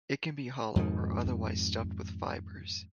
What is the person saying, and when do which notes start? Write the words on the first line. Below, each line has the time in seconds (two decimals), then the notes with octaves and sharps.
It can be hollow or otherwise stuffed with fibres.
0.76 F2 G#2 B2 D#3